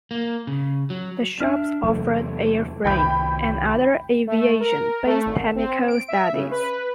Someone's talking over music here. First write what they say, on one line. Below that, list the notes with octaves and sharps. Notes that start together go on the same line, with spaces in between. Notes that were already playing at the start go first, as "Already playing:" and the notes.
The shops offered Airframe, and other aviation based technical studies.
A#3
C#3
F#3
D4 E5 F6
E2 C3 F#3 A3
C2 D#3 G5 B5 G6
A3
A#4
A3
G#1
C4
D7
E5
C#3
B4